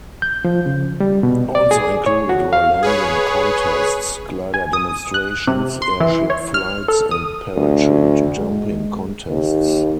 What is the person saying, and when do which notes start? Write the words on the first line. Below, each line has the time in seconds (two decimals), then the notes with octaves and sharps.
Also included were landing contests, glider demonstrations, airship flights, and parachute-jumping contests.
0.22 G6
0.45 F3
0.66 C#3
1.00 G3
1.23 B2
1.55 D5
1.71 G#4
2.06 C#5
2.29 F#4
2.53 F5
2.83 G#4 B4 C#5
4.54 G#5
4.73 D#6
5.14 F#6
5.47 C3
5.82 C6
6.00 E3
6.30 C#5
6.54 F6
6.88 A4
7.11 D#6
7.57 D2
8.37 G#3
9.30 D#2